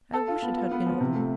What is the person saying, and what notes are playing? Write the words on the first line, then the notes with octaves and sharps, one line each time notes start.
I wish it had been all.
A4
F4
B3
F4
B3
F3
C3
A3